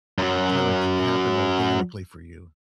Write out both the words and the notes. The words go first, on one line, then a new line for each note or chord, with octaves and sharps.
kinda c happen organically for you?
F#2 F#3